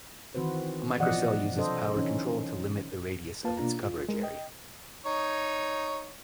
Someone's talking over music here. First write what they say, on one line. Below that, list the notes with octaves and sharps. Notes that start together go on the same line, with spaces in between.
A microcell uses power control to limit the radius of its coverage area.
D#3 E3 C4 F#4 B4 C5
B2 E3 F3 D5 D#5 F#5
C3 F#3 D4 A4 C5 D#5
E3 C#4 D#4
A#3 F4 B4 F5 A5
B2 A#3 D4 F4 A#5
F4
G#3 A#4
D#5 G5
D#4 C#5